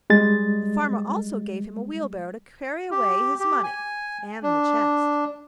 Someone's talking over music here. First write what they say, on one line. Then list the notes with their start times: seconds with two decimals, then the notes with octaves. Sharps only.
The farmer also gave him a wheelbarrow to carry away his money and the chest.
0.10 G3 G#3 A6
2.91 G4
3.40 G4
3.64 G#5
4.43 D4